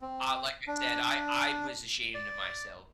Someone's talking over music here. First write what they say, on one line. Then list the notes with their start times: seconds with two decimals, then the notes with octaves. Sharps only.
Ah, like I said, I I was ashamed of myself.
0.01 C4
0.67 D4
2.14 D5